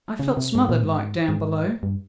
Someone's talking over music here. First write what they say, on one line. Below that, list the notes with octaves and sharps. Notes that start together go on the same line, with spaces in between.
I felt smothered like down below.
C#3
C3
G#2
A#2
G#2
G#2
G2